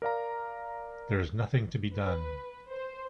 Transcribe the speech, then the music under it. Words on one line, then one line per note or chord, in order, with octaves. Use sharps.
There is nothing to be done.
A#4 D5 F5 A#5
B4
C5